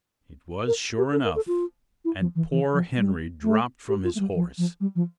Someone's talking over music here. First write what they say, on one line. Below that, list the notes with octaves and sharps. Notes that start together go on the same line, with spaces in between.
It was sure enough; and poor Henry dropped from his horse.
A#4
G4
A4
A#4
A4
F4
E4
F3
E3
E3
F3
G3
A3
G4
F4
A3
G3
F3
F3
G3
F3